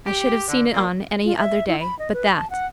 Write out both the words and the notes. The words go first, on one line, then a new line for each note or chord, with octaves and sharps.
I should have seen it on any other day but that.
G4
D3
A#2
F4
E5
E4
B5
D#5
B4
A5
F#5